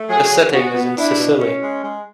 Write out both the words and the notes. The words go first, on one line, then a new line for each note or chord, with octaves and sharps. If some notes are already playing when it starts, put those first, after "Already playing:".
The setting is in Sicily.
Already playing: A3
F#3 G#4
D3
B3 F#4
B3
D4 E4
B2
C#4
G#3
G#3